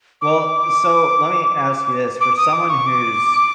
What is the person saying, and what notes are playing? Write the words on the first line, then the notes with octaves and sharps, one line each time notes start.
Well, uh, so, let me ask you this. For someone who's
D6
D6
D#6
D6
C#6
D6